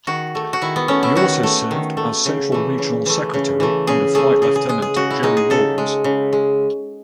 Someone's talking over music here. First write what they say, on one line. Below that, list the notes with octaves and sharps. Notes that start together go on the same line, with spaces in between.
He also served as Central Regional secretary under Flight Lieutenant Jerry Rawlings.
D#3 F#4
A3
F#4
D#3 E4
B3
A3 C#4
E4
D#3 F#4
A3
D#3
A3
C#3
E3 A3
C#3
E3 A3
C#3
E3 A3
C#3 G#4
E3 A3 G#4
C#3 G#4
G#4
G#3 G#4
G#4
C#3 F#4
E4
G#3 D#4
G#4
C#3 A4
G#3
C#3
G#3